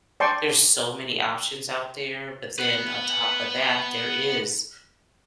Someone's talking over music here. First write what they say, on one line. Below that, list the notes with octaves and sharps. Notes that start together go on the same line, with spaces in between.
There's so many options out there, but then on top of that, there is
D5 G5 A5 C6 C#6
B4 F#5